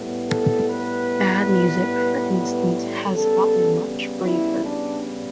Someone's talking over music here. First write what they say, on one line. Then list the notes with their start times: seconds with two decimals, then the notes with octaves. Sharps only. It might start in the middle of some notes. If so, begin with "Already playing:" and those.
Bad music, for instance, has gotten much briefer.
Already playing: A2 G3 B3
0.28 A4
0.67 B4
3.05 C#3 G3 B3 A4
4.24 E4
4.63 D4